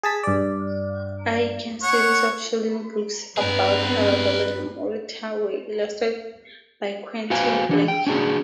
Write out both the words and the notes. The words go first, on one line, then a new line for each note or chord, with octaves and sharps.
Aiken's series of children's books about Arabel and Mortimer were illustrated by Quentin Blake.
G#4 A5 B6
G2 D5
C#5 F#5
G2 B3 C4 G#4 A#4 B4
F#4 B4 C5 F5 G5 G#5
E3 D4
G5
C#4 D4 F#4 G#4